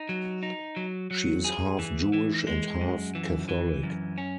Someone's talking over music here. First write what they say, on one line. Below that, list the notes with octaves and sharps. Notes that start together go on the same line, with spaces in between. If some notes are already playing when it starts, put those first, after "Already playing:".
She is half Jewish and half Catholic.
Already playing: D#4
F#3
D#4
F#3
F#3
G#4
E3
E3
G#3
F#2
E3
E3
F#2
C#4